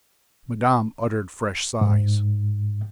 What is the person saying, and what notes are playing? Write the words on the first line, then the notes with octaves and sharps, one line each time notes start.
Madame uttered fresh sighs.
G#2